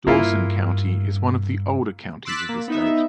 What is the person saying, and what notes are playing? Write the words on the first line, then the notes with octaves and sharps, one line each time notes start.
Dawson County is one of the older counties of the state.
G2 A#3 E4 F4
C6 D6 E6 F#6 A6 B6
A#3
B3 D#4 E5